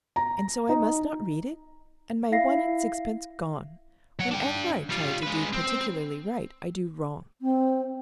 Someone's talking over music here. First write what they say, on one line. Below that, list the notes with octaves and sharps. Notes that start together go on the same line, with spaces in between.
And so I must not read it?--and my one-and-six-pence gone! Whenever I try to do particularly right, I do wrong.
A#5
D#4
E4 F5 A#6 C7
F#3 F#5
D4 G5
G3 F4
G#3 B4
C4
C4